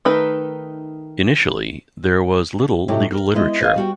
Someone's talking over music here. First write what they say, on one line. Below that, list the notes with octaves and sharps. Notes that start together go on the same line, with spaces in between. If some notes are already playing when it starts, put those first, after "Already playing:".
Initially, there was little legal literature.
D#3 A3 D#4 A#4 B4
A2 C3 F#3 D#4 E4 G4
A#4
G#3 B3 E4 D#5
B4 D#5 F5
G3 F#4 G5